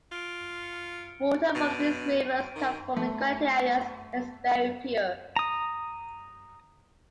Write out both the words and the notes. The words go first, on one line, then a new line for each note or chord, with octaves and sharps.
Water from these rivers come from the granitic areas and is very pure.
F4 F6 D7
C#7
B2 A6 D7 D#7
D#3
A3
A#5 D#6